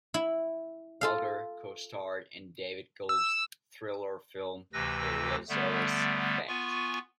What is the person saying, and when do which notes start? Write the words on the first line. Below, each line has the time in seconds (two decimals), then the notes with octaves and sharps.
Bolger co-starred in David Gelb's thriller film "The Lazarus Effect".
0.14 E4
1.01 F4 A4 F5
3.09 E6
4.73 D2 C3 E3 B4 E6 A#6
5.49 D3 G3 A3 B3
6.48 B3 F4 G#5 C#6